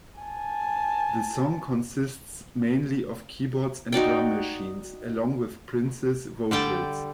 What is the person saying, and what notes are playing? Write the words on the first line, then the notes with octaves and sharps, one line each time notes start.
The song consists mainly of keyboards and drum machines, along with Prince's vocals.
G#5 A5
D#4 F#4 D5 G5
D3 G3 G5 A5